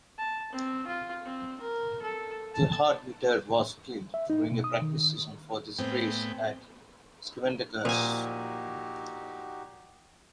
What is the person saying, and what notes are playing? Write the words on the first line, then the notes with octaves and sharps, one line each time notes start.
Gerhard Mitter was killed during a practice session for this race at Schwedenkreuz.
A5
C4
F4
C4
A#4
A4
A5
E5
D#4
B2
D#6
D#3
A2 B3 C4 G#4 G5
A#2 F3 D#4 F#4 G4 G#5